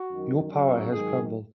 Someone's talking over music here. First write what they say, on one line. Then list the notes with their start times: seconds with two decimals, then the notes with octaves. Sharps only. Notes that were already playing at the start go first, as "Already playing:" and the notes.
Your power has crumbled.
Already playing: F#4
0.10 F#2 D#3 F#3
0.51 F#2 C#3 F#3
0.92 G#2 D#3 F#3 G#4